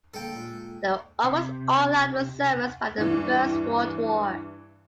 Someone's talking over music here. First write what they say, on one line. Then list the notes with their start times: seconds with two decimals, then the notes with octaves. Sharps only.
They were almost all out of service by the First World War.
0.14 D3 A#3 A4 G5
0.34 A#2 G#3
1.23 C3
2.98 G2 E3